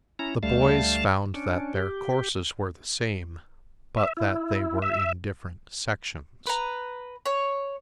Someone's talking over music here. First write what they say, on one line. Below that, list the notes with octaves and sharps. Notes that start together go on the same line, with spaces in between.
The boys found that their courses were the same but that they were in different sections.
C#4 E4 A#5
D2 G3 A3 F5 A5
C#4 D4
G4
E5
E4
E5
B4 A#5
C#5